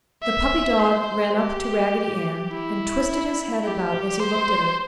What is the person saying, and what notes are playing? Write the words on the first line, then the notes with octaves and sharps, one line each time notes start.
The puppy dog ran up to Raggedy Ann and twisted his head about as he looked at her.
E5
C5
G4
E4
G4
C5